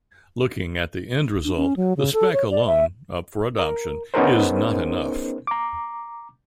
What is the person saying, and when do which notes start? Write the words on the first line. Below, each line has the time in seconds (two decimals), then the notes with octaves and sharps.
Looking at the end result, the spec alone, up for adoption, is not enough.
1.44 D4
1.57 C#4
1.77 F#3
1.97 C#3
2.14 A4
2.33 C#5
2.51 D5
2.67 E5
3.59 A#4
4.14 B3 C#4 D#4 G#4 A#4 C5
5.47 A#5 D6